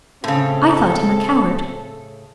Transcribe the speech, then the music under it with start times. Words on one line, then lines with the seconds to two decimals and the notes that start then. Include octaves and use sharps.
I thought him a coward.
0.24 A2 C#3 C4 A4